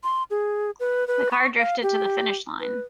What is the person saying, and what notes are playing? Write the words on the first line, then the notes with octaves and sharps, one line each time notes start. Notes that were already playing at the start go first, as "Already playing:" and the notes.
The car drifted to the finish line.
C6
G#4
B4
B4
C#6
F5
G4
B4